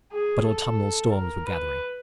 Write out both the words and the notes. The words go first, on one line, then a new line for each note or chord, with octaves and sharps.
But autumnal storms were gathering.
G#4
A4
A#4
B4